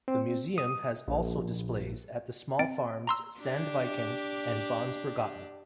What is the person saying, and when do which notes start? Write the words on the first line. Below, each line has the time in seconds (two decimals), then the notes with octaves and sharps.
The museum has also displays at the small farms Sandviken and Bagnsbergatn.
0.08 C4
0.58 D#6
1.08 A#1
2.59 C4 A6 D7
3.07 A#5 C6 E6
3.39 D4 G4